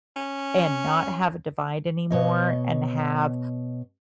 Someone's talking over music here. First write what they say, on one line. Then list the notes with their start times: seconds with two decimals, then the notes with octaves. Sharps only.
and not have a divide anymore and have
0.16 C#4
2.10 B2 C#5 D#5